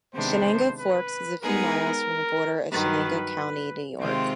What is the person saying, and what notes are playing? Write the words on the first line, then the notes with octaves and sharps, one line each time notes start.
Chenango Forks is a few miles from the border of Chenango County, New York.
C3 D#3 G#3 B3 D4 C5
B4
G#3 B3 D#4 G#4 A#4 B4
G2 D#3 F#3 B4
C3 D#3 G#3 C4 F4 C5